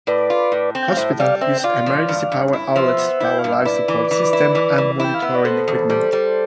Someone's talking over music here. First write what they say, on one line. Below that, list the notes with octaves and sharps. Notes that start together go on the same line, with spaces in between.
Hospitals use emergency power outlets to power life support systems and monitoring equipment.
A2 B4 D5
F4
A2
C4
G5
F5
A2 C5 E5
G3 D5 F5
C4 C5 E5
G5
F4 D5 F5
F3
G2
G2
E4
F3 C5 E5
B3
E4 G5
F5
G2
E5
E4 B4 D5
E3
E3
E4
E3
E3
E4 G5
F5
B3 E5
D5
B2 A4 C5
E2
G3
G3